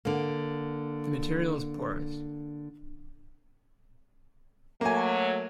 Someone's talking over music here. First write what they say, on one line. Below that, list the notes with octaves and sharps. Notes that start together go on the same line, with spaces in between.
The material is porous.
D3 A#3
F#3 A3 A#3 G#5